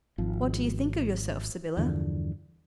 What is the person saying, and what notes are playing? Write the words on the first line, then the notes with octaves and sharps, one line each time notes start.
"What do you think of yourself, Sybylla?"
G#1 F3
E2 G2 D3 F3